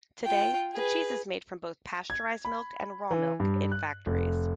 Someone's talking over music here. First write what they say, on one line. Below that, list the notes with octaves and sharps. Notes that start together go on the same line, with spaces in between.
Today, the cheese is made from both pasteurized milk and raw milk in factories.
F4 G5
G#4 B4
G#6
B5
E3
G2
F#6
F1